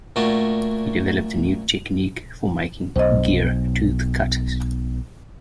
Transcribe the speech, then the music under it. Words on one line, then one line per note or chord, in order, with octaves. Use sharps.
He developed a new technique for making gear-tooth cutters.
A#2 A3 D4 F#4 A#4
B1 C5 D#5